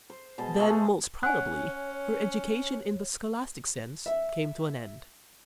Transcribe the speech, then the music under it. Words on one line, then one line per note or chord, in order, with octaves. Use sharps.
Then, most probably, her education in the scholastic sense came to an end.
C5
B2 G#3 D#5 A5
G#3 A3 G#4
C#4 C#5 F#5 G#5 F#6
E5